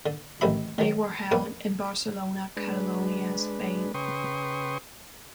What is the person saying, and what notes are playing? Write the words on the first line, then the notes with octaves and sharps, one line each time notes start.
They were held in Barcelona, Catalonia, Spain.
D3
A1 F2 D#3 E5 B5
D#3 F#3
F2 A#3 C#4 B4
G#3 D4 B4
C#3 B4 G5 C6 C#6 D#6